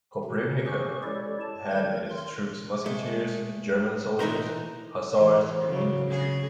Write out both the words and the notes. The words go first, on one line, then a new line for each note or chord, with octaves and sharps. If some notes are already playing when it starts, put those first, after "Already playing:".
Koprivnica had in its troops musketeers, German soldiers, hussars and infantry.
B2 D#3
C#4 G4 G#4 C5 C#6
G#3 E4 G4 A4 C#5 D5
A5
D#3 F#3 G3 A3 A#4 G#6
A#4 C6
G#3 A3
E3 D#4 A#4 C5
E3
C#3 F#3
C#3 G#4